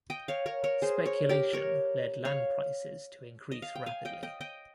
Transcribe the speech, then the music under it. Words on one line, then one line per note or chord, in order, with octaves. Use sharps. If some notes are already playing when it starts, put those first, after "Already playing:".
Speculation led land prices to increase rapidly.
D#5 G5
C#5 F5
A#4 C#5
A#4 C#5
G#4 C5
A#4 C#5
G4 A#4
A#4 C#5
C#5 F5
D#5
F5
G5
F5 G#5
D#5 G5
D#5 G5
D#5 G5